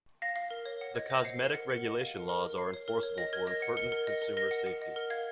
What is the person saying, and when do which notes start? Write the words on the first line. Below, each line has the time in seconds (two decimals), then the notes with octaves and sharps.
The cosmetic regulation laws are enforceable for important consumer safety.
0.22 F5 A#6
0.36 F5
0.50 A#4
0.66 C#5
0.81 F#5
0.95 D#5 G#6
1.10 C5 A#6
1.25 F#5 C7
1.40 A#4
1.55 F#5
1.70 A#4 C#7
1.85 D#5
2.00 F5
2.15 A#4
2.29 A#4
2.44 A#4
2.58 A#4 C7
2.74 C#5
2.88 A#4
3.03 C#5
3.18 D#5 A#6
3.33 A#4 G#6
3.47 D#5 A#6
3.62 F#5 C#7
3.77 A#4 C#7
3.92 A#4
4.07 D#5
4.22 A#4
4.37 A#4 A#6
4.51 F#5
4.67 F#5
4.82 D#5
4.96 A#4
5.10 F5 G#6